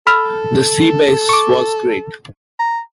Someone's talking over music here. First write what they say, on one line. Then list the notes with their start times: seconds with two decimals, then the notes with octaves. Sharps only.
That seabass was great.
0.07 A4 B5 E6 F6
1.29 C#6 D6
2.59 A#5